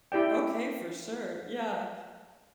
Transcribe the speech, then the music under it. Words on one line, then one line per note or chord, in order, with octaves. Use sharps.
Okay, for sure, yeah.
E4 G4 D5 G5